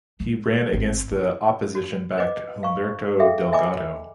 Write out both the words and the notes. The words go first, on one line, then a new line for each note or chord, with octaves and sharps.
He ran against the opposition-backed Humberto Delgado.
G#3
G#1 C4
E4
F#4
B4 D#5 D6
F5 A#5 C#6
G#4 A4 E5 F5 G5
D#5 E5 G#5 A#5 B5 D6